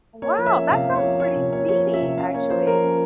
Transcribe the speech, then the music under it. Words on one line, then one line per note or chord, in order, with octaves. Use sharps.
Wow, that sounds pretty speedy, actually.
A#3 C#5
F3
E5
C#4
C3 F5
A#3
C#5
F3
C#4 C#5
C3
A#3 C#5
F3 C#5
C#4
E5
C3
C#4 F5
A#3 C#5
F3 C5
F3 A#4
C#4